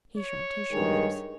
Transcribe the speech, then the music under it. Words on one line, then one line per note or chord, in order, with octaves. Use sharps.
He shrugged his shoulders.
C#5
G2 D#3 G#3